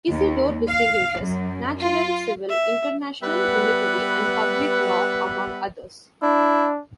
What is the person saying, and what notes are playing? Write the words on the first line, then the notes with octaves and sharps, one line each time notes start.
Isidore distinguishes natural, civil, international, military and public law among others.
D#2
F5
F#2
F4
E5
G3 B3 B4 E5 F#5
D4 E4